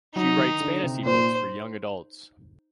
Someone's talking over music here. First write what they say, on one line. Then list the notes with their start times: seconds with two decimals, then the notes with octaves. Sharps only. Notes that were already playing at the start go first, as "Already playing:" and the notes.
She writes fantasy books for young adults.
0.16 F#3 D#4
0.38 D#3
0.60 D3
0.83 C3
1.05 A#2 C5